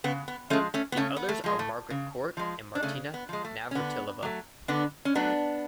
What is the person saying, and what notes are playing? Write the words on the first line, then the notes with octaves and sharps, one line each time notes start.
The others are Margaret Court and Martina Navratilova.
C#3 B3
B3
F3 G#3 A3 C#4
A3 C#4
B3
C#3 A3 C#4
B3
A3
F3 G#3
A3
C#3
F3 G#3
D4
C#3 A3 C#4
B3
F3 G#3
A3
C#4
D3 B3
F#3 A3
D3 B3 D4
C#4
F#3 A3 B3 D4